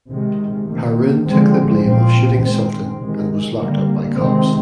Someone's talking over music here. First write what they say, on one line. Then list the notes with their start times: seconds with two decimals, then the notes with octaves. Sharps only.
Haroon took the blame of shooting Sultan and was locked up by cops.
0.10 C3 D#3 G#3
0.69 C3 D#3 A#3
1.26 D3 F3 G#3 C4
1.84 A#2 F3 C4
2.42 D#3 G#3 C4
2.99 C3 D#3 G#3
3.58 D3 G3 A#3
4.16 C3 D#3 G#3 C4